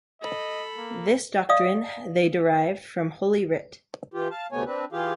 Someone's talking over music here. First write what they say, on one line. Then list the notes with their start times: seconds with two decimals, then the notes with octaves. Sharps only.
This doctrine they derived from Holy Writ.
0.21 A4 D#5 B5
0.77 A#3
1.49 D5 D#5 F5 D#6
4.14 E3 F4 G4
4.31 F5 A5
4.52 D2 C3 A3 B3 C#5 G#5
4.66 C4 D4 B4
4.92 E3 F4 G4 G#4 F5